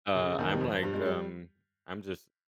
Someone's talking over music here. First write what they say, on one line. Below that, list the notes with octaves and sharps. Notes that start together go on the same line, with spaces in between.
Uh, I'm like, um, I'm just,
C#3
D#2 D#3
G3
F2 F3
G2 G3
G#3
G3